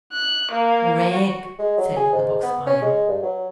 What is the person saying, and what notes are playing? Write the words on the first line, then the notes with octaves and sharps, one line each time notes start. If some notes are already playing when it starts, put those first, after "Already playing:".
"Rag!" said the box-iron.
F#6
A#3
F#4
G#3
F#3
G#4
G#2
B3
C#4
G#3
G2
F#3